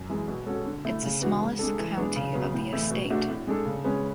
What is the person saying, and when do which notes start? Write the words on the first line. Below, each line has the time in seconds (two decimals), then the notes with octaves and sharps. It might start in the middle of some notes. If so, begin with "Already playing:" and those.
It’s the smallest county of the Estate.
Already playing: F#2
0.10 E3 G#3
0.28 B2
0.46 G#3 C#4 F#4 A4
0.65 D3
0.85 A3 E4
1.03 C#3
1.21 E3 B3 D4 F#4
1.41 G#2
1.59 G#3 D4 A4
1.79 E3
1.98 G#3 B3 D4
2.16 C#3
2.34 F#3 B3
2.54 A2
2.73 E3 A3 E4
2.90 B2
3.10 A3 D4 F#4
3.29 A2
3.47 G#3 D4 A4
3.66 C#3
3.84 G#3 C#4 G#4 B4